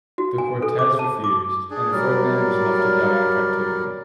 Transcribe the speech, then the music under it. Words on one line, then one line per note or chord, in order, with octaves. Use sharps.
The Cortes refused, and Ferdinand was left to die in captivity.
F#4
G#5
A4
D6
A5
D6
D4 G#4
F#3 G3 A#4 D5